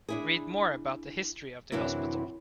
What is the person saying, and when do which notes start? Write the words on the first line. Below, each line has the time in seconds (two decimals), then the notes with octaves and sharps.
Read more about the history of the hospital.
0.08 D4 E4 G#4
1.72 F#2 C3 E3 D4 E4 F#4